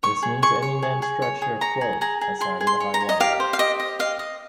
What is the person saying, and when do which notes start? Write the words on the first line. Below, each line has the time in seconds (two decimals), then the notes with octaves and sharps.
This means any manned structure afloat outside of the high-water mark.
0.03 C#5 C#6
0.22 G#4
0.42 G#4 C#6
0.62 C#5
0.82 G#4
1.02 G#4
1.22 C#5
1.42 G#4
1.61 C#5 A#5
1.81 G#4
2.01 G#4 A#5
2.21 G#4
2.41 G#4 C6
2.61 G#4
2.67 C6
2.80 C#5
2.94 A#5
3.00 C#5
3.09 D#5
3.20 G4 F5
3.40 C5
3.53 F5
3.59 G4 D#5
3.80 D#5
3.99 D#5 F5
4.19 D#5